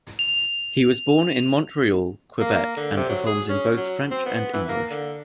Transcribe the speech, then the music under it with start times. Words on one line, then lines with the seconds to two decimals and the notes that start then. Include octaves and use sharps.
He was born in Montreal, Quebec and performs in both French and English.
0.19 F7
2.40 A#3
2.77 D3
2.97 C3
3.09 F#3
3.26 G#4
3.49 C#4
3.77 F#3
4.11 C4
4.26 B3
4.53 E3
4.69 A#3
4.91 D3